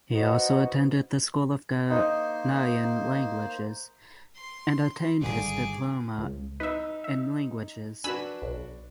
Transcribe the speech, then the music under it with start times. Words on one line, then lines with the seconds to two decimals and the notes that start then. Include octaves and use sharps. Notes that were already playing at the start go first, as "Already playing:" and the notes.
He also attended the School of Ghanaian Languages and obtained his Diploma in Languages.
0.13 D#4 F#4 B4 C5 D#5
1.90 A#3 D#4 C5
4.36 C6
5.21 G#1 G2 D3 G#4 D6
6.18 C#2
6.60 D#4 B4 E5
7.04 E5
8.04 D4 F#4 B4 G#5 B5 E6
8.42 B1